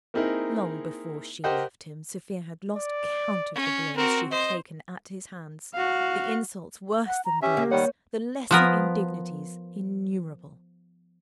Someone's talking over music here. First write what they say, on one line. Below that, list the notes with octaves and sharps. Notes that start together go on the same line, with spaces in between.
Long before she left him Sofia had lost count of the blows she had taken at his hands, the insults worse than blows, the lesser indignities innumerable.
A#3 C4 D#4 E4 G#4 A#4
G4 A#4 C5 D#5 F#5 G5
D5
C#4
C4 F#4 A#4
C5 D#5
F#4 F5
F#5
A#5
C#4 G4 E5
A#3
D#3 G3 C#5 F#5
F3 B3 A#4